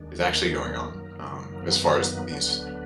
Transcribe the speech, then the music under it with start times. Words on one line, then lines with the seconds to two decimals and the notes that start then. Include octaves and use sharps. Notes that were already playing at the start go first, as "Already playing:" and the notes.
is actually going on, um, as far as these
Already playing: D#2 D#3 G#3 D4
0.21 A#3 A#4
0.91 F#2 D#3 F#3 A#3 D#4
1.61 B3 B4
2.30 D2 D3 F#3 D4